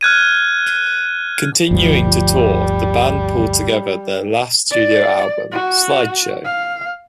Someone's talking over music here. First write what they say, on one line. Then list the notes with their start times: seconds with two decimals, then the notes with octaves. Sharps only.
Continuing to tour, the band pulled together their last studio album, "Slide Show".
0.01 F6 F#6 G#6 D#7
1.71 G1 D2 F3 G3
4.71 D5
5.52 F#4
6.45 F5